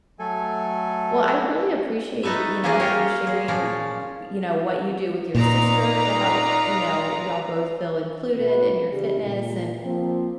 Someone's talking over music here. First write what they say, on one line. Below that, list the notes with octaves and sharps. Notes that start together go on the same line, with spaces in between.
Well, I really appreciate, you know, you sharing, y you know, what you do with your sister to help, you know, y'all both feel included in your fitness, and
F#3 A3 A4 G#5
A3 D#4 A4 B4 E5
A#3 C#4 G#4 D5 D#5
F4 G4 A#4 C5 C#5
G#4
A#2 F3 C#4 D5
A#2 D#4 F4 B4 D5 A#5
B2 A#3 B3 F#4 B4
C#3 E3 G3
A#2
F3 A#3 C4